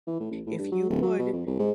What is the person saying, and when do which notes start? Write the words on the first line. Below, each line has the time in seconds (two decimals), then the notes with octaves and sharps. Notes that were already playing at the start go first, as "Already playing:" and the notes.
If you would,
0.07 E3
0.20 A2
0.31 A1
0.47 A2
0.58 G2
0.72 F#3
0.89 D1
1.02 F#3
1.19 B2
1.33 F2
1.46 C2
1.59 G#2